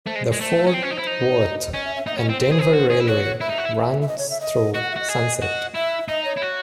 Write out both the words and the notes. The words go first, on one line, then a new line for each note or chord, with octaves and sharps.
The Fort Worth and Denver Railway runs through Sunset.
A3 C5
G#3
G#3
A3
C#4
C4
C#4
D#4
E4
D#4
C#5
D#5
C#4 D#5
E5
E5
D#4 E5
C#4 C#5
D#5
C4
C5
C4
G#4
A4
G#4
F#4
G#4
E4
F#4 C#5
C#5
E4 E5
D#4
F#4
E4
E5
D#5
C#5
E5
D#5
F#4 D#5
F#5
E5
F#4 D#5
G#4
F#4
E4 E5
D#4 D#5
C#5
E4
F#4